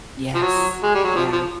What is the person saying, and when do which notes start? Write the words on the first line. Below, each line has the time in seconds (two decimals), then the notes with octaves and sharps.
Yes. Yeah.
0.35 F3
0.42 F#3
0.83 G#3
0.95 G3
1.04 F#3
1.16 F3
1.33 F3